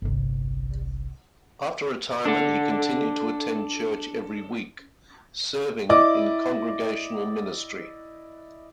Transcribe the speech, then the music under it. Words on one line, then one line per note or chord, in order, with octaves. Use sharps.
After retirement, he continued to attend church every week, serving in congregational ministry.
G1 C2
D4 A4
E4 D5 D#5 D6